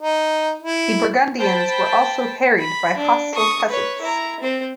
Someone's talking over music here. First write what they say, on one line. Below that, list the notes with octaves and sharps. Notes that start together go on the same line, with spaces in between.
The Burgundians were also harried by hostile peasants.
D#4
E4
C5 G5 A5 B5
B5
D4
C#6 D#6
B4 C#5
E4 A#5
C4 C5